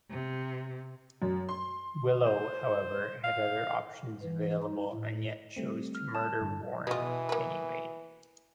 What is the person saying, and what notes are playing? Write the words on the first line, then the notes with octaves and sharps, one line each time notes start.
Willow, however, had other options available and yet chose to murder Warren anyway.
C3
F#2
C6
C5
F5
E3
D#4
A2
G3 A3 C4
F6
A5
G2 D3
B2 E3 G#3 F4 D#6
A#3 B4